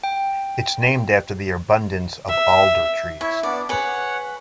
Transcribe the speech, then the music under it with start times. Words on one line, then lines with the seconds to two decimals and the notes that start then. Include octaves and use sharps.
It's named after the abundance of Alder Trees.
0.04 G5
2.29 E5
3.21 E4 C#5 E5
3.43 B3 D4 D5
3.69 G#4 B4 C#5 F#5